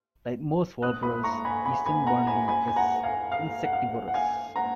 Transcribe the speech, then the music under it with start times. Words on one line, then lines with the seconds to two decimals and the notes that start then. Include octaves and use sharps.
Like most warblers, eastern Bonelli's is insectivorous.
0.82 D#6 F#6
1.03 B5 D#6
1.23 A#5 C#6
1.45 G#5 B5
1.65 G#5 B5
1.86 G#5 B5
2.06 F#5 A#5
2.27 G#5 B5
2.48 G#5 B5
2.68 G#5
2.76 F#5 A#5
3.03 F5 G#5
3.32 F5
3.64 F#5
3.73 F5
4.08 F#5
4.14 F5 G#5
4.56 F#5 A#5